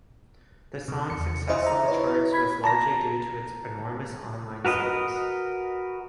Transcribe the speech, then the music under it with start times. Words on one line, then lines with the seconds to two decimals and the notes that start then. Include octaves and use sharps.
The song's success on the charts was largely due to its enormous online sales.
0.88 C3
1.10 E2 C#7
1.48 E4 C5 D#5 E5
1.64 E5 A#5
1.88 E4 B4 C#5
2.33 B5 G#6 B6
2.64 A5 A#5 A#6
4.65 F#4 A#4 B4 D#5